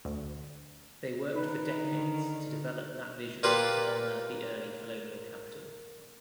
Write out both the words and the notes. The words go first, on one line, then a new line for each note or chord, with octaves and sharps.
They worked for decades to develop that vision to honor the early colonial capital.
D2
D#3 D#4 B4
D3
A#2 F4 G4 B4